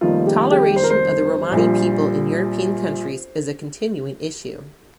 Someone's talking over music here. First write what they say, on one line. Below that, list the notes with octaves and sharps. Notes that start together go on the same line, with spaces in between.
Toleration of the Romani people in European countries is a continuing issue.
F1 F2 D#3 G3 A#3 F4
G4
G4
C5
A#4
C5
A#1 A#2 G3